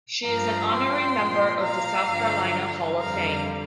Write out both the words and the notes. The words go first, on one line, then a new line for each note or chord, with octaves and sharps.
She is an honorary member of the South Carolina Hall of Fame.
G2 F3 F5 A#5
G5 C6
A#2 F3
F5 A#5
G2 D3 F3
F2 D3 G3 F5 A#5